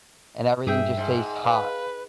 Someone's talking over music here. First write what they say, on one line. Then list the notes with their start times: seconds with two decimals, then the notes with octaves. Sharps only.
and everything just tastes hot.
0.67 G2 G#4 E5 G5
0.97 G#2
1.44 B4 F5